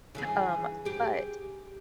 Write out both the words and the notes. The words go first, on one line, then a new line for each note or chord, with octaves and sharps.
um, but,
C#3 E3 G#4
G4 G#4